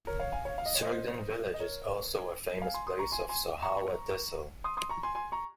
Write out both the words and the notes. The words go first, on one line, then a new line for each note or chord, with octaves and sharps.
Surgdhan Village is also a famous place of Sohawa Tehsil.
A#4 C#5
C#5 F5
F5 G#5
C#5 F5
F5
D#5
C#5
C5 D#5
D#5
A#4 C#5
F5 G#5
G#5 C6
C6 D#6
A#5 C#6
G#5 C6
G#5 C6
A#5 C#6
C6 D#6
C6 D#6
A#5 C#6
G#5 C6
G#5 C6
A#5 C#6